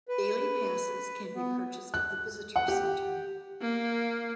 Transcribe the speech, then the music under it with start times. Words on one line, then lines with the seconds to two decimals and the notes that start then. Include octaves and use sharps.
Daily passes can be purchased at the visitors center.
0.09 B4
1.35 B3
1.94 F#6
2.56 F#5
2.68 G4
3.61 A#3